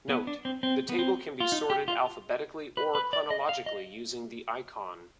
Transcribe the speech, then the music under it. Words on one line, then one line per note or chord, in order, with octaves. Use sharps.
Note: The table can be sorted alphabetically or chronologically using the icon.
B3
D4
C4
C4
B3
C4
F4
D#4
G4
F4
B4
B4
D5
D#5
F5
D#5